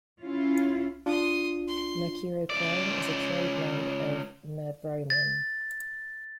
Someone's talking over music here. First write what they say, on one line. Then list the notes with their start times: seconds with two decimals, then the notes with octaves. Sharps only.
Mercurochrome is a trade name of merbromin.
0.22 C#4 E4 F4
1.06 D4 F4 C6 D#6
1.68 C6
2.50 C#2 D5
5.10 A6